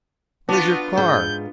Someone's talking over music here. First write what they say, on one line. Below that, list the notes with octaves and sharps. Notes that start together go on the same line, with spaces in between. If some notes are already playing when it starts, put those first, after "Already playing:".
Where's your car?
B3 D4 F4 F#4
G#2 G6